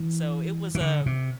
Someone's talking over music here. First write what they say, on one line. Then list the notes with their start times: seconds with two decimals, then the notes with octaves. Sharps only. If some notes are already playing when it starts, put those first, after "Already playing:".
So it was a
Already playing: E3
0.75 E3
0.81 D3
1.06 C3